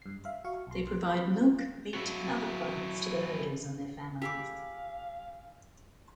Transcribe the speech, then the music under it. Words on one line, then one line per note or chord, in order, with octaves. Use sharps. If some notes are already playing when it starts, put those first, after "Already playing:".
They provide milk, meat and other products to the herders and their families.
G2 C7
E5 F5
F#4 F5 C#6
B1 C6
F4 B5
F4
F#3 E4
G4 G#4 F5 B5 D6 E6 B6